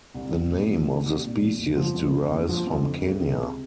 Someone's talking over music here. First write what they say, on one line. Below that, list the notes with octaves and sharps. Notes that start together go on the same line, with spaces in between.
The name of the species derives from Kenya.
C2
C2
A#2
F3
C2
C2
A#2
F3
F#1
F3
F2
D3
F#1
F3
F2
D3
C#2
C#2
C3